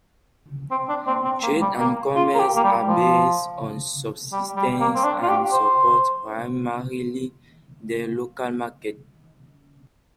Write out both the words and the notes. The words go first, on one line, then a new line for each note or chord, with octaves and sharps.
Trade and commerce are based on subsistence and supports primarily the local market.
C4
D4
C4
C4
A#3
G3
A#3
F4
A#4
G4
A#3
G3
F3
G3
G3
A#3
C4
D4
F4
G4
C5